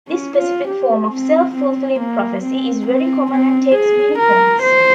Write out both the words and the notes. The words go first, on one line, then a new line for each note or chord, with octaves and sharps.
This specific form of self-fulfilling prophecy is very common and takes many forms.
C#4
F4
G4
C4
C4
A#3
C4
C4
C4
G#4
A#4
C5